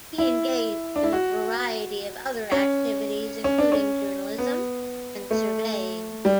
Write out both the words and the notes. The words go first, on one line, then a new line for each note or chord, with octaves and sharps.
He engaged in a variety of other activities, including journalism and surveying.
E4
D4
E4
F#4
C#4
C#4
D4
C#4
B3
A3
G3